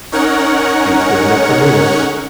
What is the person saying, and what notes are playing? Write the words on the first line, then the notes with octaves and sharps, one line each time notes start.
She's good enough for me!
C#4 D#4 A#4 C#5 F#5